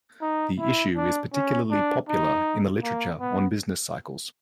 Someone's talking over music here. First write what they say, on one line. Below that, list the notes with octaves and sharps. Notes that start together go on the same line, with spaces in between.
The issue is particularly popular in the literature on business cycles.
D#4
E4
D4
C#4
D4
D#4
A#3
B3